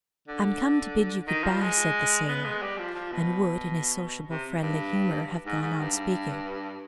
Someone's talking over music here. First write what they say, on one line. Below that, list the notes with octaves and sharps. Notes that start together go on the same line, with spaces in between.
"I'm come to bid you good bye," said the sailor, and would in his sociable friendly humour have gone on speaking.
D3
D#3
F3
G#3
B3
G#3
G3
F3
F3
B2
C3
G2
G#2
G#2
G2